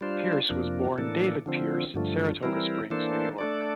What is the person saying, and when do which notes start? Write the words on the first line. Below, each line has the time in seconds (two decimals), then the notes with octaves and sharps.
Pierce was born David Pierce in Saratoga Springs, New York.
0.01 G3 D4 F4 C5
0.49 F2 C3 F3 A#3 D4
0.98 A2 E3 A#3 D4 A4
1.46 D3 F3 C4
1.94 G2 D3 F3 A3
2.43 E3 G3 C4 E4 A#4
2.90 E3 A#3 D4 A4 C5
3.38 A3 D4 A4 D5